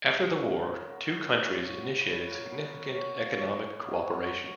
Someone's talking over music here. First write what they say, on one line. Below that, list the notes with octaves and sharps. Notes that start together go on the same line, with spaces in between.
After the war two countries initiated significant economic cooperation.
F#2 A#4 A#5
C#3
A#4 A#5
C#3
A#4 A#5
B3
F#2
C#3
F#2
B3
C#3 B4 B5
C#3 G#5
A#4 A#5
B3
B5
A#4 A#5
F#2
F#2 C#4 C#5
F3
F#2 C#4 C#5
F#2
A#3 B3 A#4
G#4
F#2 F#3 F#4
F#2